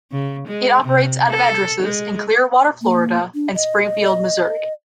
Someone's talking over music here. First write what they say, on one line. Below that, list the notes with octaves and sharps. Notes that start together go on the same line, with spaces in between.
It operates out of addresses in Clearwater, Florida, and Springfield, Missouri.
C#3
G#3
C3
A4
G#3
A#3
D4
D#5